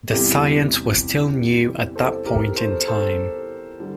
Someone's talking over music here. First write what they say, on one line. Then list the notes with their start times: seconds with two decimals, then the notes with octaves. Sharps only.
The science was still new at that point in time.
0.13 E2 C3 G3 E4 G4
1.96 A4 C5
2.26 G4 A#4
2.57 A4 C5
2.88 A4 C5
3.80 D3 G3